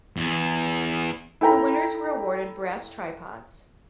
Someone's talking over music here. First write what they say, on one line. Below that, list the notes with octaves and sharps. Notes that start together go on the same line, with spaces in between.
The winners were awarded brass tripods.
E2
E4 A4 G5 A#5 B5